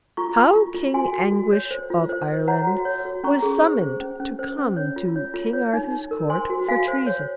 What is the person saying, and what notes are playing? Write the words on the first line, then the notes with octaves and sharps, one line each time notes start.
How King Anguish of Ireland was summoned to come to King Arthur's court for treason.
F4 A#5 C#6
F4
F4
F4
F#4 G#5 C6
F#4
F#4
C#5
C5
F4
C5
C5
C#5 F#5 A#5
F#4
C#5
F#4
C#4 A#5 C#6
G#4
C5
C5
C#4
C#4
C5
C#4
C#5
F4
C#5
F4
C#5
D#4
D#4
A#4
C5 G#5 C6
F#4
F#4 F5 G#5
C5
C#5